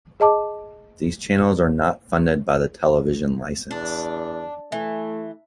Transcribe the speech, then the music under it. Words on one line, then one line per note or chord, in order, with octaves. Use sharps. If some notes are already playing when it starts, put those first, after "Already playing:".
These channels are not funded by the television licence.
G#4 D#5 A5 D6
E2 D4
E3 A3